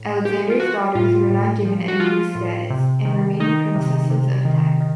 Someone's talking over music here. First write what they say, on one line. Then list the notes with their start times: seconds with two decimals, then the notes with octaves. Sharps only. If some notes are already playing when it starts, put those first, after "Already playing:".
Alexander's daughters were not given any new status, and remained Princesses of Teck.
Already playing: A2
0.25 F3 G4
0.50 F4
0.60 F3 F#4
0.95 A2 F4
1.30 A2
1.65 F3
1.88 F#4
2.00 F3 F4
2.35 A2
2.70 C3
3.05 D#3
3.40 D#3 D#4
3.75 C3
4.10 C3
4.45 D#3
4.80 D#3